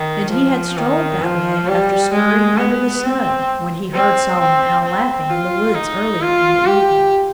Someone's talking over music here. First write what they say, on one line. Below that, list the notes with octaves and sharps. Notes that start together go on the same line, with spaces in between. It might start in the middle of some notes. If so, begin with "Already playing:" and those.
And he had strolled that way after scurrying under the snow when he heard Solomon Owl laughing in the woods earlier in the evening.
Already playing: D#3
F3
D#3
F3
G3
G#3
B3
C4
C4
C4
C4
F4
D#4
F4
G4